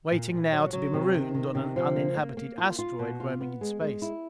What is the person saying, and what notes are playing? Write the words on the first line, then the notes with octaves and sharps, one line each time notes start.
Waiting now to be marooned on an uninhabited asteroid roaming in space.
A#2
A#2
F#3
F#3
C3
D#3
D#3
C3
F3
A#3
A#3
A#3
F4
F4
B2
F4
B3
G#3
G#3
E4